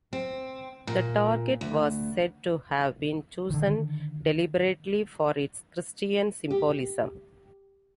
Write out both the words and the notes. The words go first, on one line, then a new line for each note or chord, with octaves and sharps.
The target was said to have been chosen deliberately for its Christian symbolism.
C4
A#2
D2
D3 D#3
G4